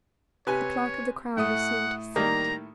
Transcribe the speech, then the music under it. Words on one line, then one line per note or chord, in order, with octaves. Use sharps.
The Clerk of the Crown resumed his seat.
C3 B4 C#5 G#5
A2 A3 F#5 D#6
D#3 G3 A#3 A#5